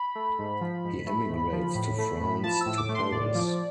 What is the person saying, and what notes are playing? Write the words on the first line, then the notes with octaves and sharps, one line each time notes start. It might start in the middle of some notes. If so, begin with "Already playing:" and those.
He emigrates to France, to Paris.
Already playing: B5
A3
G#2
F3
G#2
A3
G#2
F3
A2
A3
A2
F3 A5
E6
A2
D6
A3
C6
A2 D5
F3